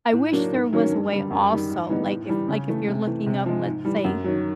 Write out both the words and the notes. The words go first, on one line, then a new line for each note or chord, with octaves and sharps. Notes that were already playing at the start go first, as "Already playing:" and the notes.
I wish there was a way also. Like, if like, if you looking up, let's say
A2
F#3 A#3 D4
G#2
D#3 F#3 A#3 C#4
G2
D3 G3
F#2
D#3 G3
G#2
E3 G3 B3 D#4
A2
E3 G3
C#3
E3 A3
C3
E3 A3
C3
F3 G#3
G#2
E3 G3
F#2
D#3 F#3